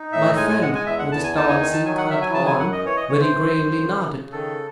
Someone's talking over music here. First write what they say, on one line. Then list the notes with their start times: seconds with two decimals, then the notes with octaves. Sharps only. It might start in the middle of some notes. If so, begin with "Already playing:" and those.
My friend, with his tall silk hat on, very gravely nodded.
Already playing: D#4
0.12 A2 E5
0.37 G#3 G#5
0.50 G#5
0.61 G#3 F#5
0.75 G#5
0.86 E2 E5
0.99 F#5
1.11 E2 A5
1.24 G#5
1.36 D#4 A5
1.49 G#5
1.60 D#3 G#5
1.73 A5
1.85 F#3 G#5
1.98 F#5
2.10 F#3 E5
2.22 G#5
2.34 C#3 A5
2.47 G#5
2.59 F#2 F#5
2.72 D#5
2.84 E3 C#5
2.96 D#5
3.09 E3 C#5
3.21 C5
3.33 F#2
3.57 F#2
3.82 C#3
4.07 C#3
4.32 D#3 A4